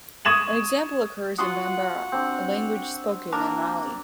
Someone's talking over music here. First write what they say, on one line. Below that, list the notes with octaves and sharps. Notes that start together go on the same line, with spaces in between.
An example occurs in Bambara, a language spoken in Mali.
C#6 D#6 G#6 E7 F#7
F4 F#4 F#5 C6 D#6
C4 D4
A#3 D4 A#4